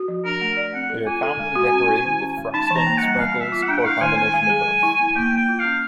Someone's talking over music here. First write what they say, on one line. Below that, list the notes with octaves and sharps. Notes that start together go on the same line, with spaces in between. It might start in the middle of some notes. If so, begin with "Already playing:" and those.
They are commonly decorated with frosting, sprinkles, or a combination of both.
Already playing: F#4
F3
D4 A#4
A3
D5
C4 F#5
A4
F4 G#5
A4
G#3
F#4
C#4
E4
D#3
C#4
G#3
D#4 A5
A5
E3
A#5
A#3
F#5
G3
B3 F5
B3
E5
F4
F#5
D4 G5
F#5
E4 F5
D#3 G#5
B3 G#5
G#3 G#5
G#4
F#3
E4
B3
A#3 G5
A#3 G5
F4
F5
C#4